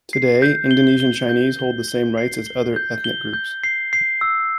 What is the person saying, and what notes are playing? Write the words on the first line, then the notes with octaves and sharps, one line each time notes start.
Today, Indonesian Chinese hold the same rights as other ethnic groups.
C7
G6
G7
G7
G6
G7
G7
C7
G7
G6
G7
G6
C7
C7
E6